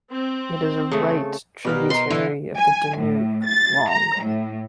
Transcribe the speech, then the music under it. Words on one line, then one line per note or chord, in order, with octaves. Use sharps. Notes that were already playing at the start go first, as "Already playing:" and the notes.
It is a right tributary of the Danube, long.
C4
C#3 A3
B2 G3 A#3 G4 B4 F6
D#4 G#4 A#4 C6
D3 E3 F3
G#5
A2
A6
A#5
A2